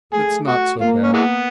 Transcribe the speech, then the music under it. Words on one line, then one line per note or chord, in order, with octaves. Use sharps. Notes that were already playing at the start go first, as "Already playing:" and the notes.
It's not so bad.
A3 G#4
F#4
A#3 F4
C#4
E3 G#3 B3